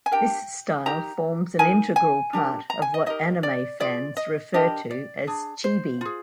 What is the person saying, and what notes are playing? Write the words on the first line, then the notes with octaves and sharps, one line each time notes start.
This style forms an integral part of what anime fans refer to as chibi.
G#5
D4 G4 A#4 G5
D#4 G4 A#4 A#5
D#4 A#4 G#5
G#5
D4 G4 A#4
A#5
G#5
D#5
D#4 G4 A#4 D#5
D5
F4 G#4 D5
D#5
D4 G4 A#4 D#5
D5
D4 G#4
C5
F4 G#4